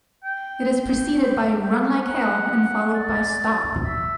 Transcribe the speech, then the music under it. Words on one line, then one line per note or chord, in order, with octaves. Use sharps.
It is preceded by "Run Like Hell" and followed by "Stop".
G5
F#5
D5
E5